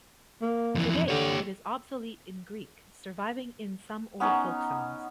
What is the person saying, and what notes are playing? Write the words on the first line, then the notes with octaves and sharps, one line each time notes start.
Today it is obsolete in Greek, surviving in some old folk songs.
A#3
F2 E3
D3 G4 C#5
B3 C#4 D#4 A#5